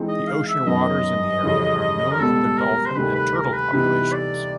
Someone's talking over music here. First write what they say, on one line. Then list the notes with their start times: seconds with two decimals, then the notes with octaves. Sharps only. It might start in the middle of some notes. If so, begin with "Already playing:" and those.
The ocean waters in the area are known for their dolphin and turtle populations.
Already playing: E3 G#3 C4 D#4 G#4
0.08 D#5
0.28 F5
0.48 E5
0.67 F#2 D#3 F#3 B3 D#5
1.43 F2 C#3 E3 G3
2.12 A#4
2.20 C#2 B2 G3 B3 A4
2.58 A#4
2.86 C5
2.96 D2 C3 D#3 G3 B4
3.15 B4
3.35 A#4
3.53 B4
3.72 C3 E3 G3 B3 D#4 B4
4.12 D5